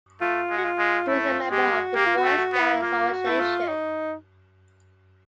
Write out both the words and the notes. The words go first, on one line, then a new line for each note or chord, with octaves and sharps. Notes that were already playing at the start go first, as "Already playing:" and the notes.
He was a member of the Boy Scout Association.
A3 F4
G#3
F#4
F4
G#3
A3 E4
F4
G#3 G4
F#4
A#3 G4
F4
F#4
A3
F#4
B3
E4
A#3 F4
F#4
A3 E4
F4
D#4